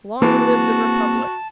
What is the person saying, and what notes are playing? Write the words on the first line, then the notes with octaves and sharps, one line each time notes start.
Long live the Republic!
E3 A#3 C4 F#4 G#4 A5